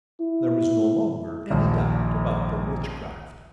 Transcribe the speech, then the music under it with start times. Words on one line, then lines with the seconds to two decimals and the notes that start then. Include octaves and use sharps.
There was no longer any doubt about the witchcraft.
0.20 E4
1.50 A#1 D#2 F3